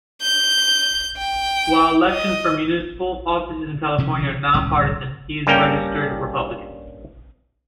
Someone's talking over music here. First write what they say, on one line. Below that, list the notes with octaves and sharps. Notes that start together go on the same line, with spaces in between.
While elections for municipal offices in California are non-partisan, he is a registered Republican.
G6
G5
D#5
C3 D#3 F3 C#4
D1 C2 C#4
G2 G3 A#3 C#4 A#4 G5